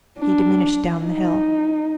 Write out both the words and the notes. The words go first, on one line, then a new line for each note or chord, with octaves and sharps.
He diminished down the hill.
D4
D#4